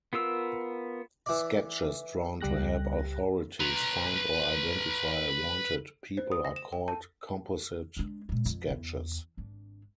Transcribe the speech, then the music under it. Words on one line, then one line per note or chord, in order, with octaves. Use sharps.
Sketches drawn to help authorities find or identify wanted people are called composite sketches.
B3 F4 A#4 E6
E3 D5
C#2 G3 G4 F#6 A#6
B4 A#5
C5
D#6
A#6
E7
G5
A5
G#3 D4
A#2 G#3
F2
E2
G#1 D4